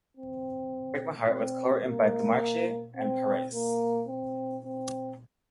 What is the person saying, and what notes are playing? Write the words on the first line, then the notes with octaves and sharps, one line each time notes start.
"Break My Heart" was co-written by DeMarchi and Parise.
C4
C4
A#3
C4
A#3
C4
C4